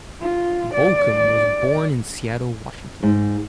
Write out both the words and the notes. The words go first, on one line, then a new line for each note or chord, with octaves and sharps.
Bolcom was born in Seattle, Washington.
F4
D5
G#2